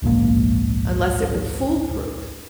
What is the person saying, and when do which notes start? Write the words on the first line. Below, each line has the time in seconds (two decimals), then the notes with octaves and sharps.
unless it were foolproof.
0.02 D1 A#1 G#2 A#3